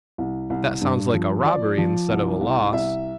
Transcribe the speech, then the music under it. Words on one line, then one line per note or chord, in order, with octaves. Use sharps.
"That sounds like a robbery instead of a loss."
C2
C2
G2
F3
F3 D5
F3
C2
C2
C2 E5